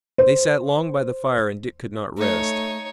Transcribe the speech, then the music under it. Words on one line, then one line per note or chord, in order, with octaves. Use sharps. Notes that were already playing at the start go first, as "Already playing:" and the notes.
They sat long by the fire and Dick could not rest.
C5
A3 D#4 C#5